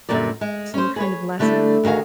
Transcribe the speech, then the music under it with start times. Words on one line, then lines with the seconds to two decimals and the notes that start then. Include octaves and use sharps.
some kind of lesson?
0.09 F#2 A#2 D3 G3 A#3 D5
0.41 G#3
0.74 C#4 C5
0.96 G#4 B4 C#5
1.39 D3 G3 A3 D4 E4
1.84 D2 D#3 F#4 G#4 F5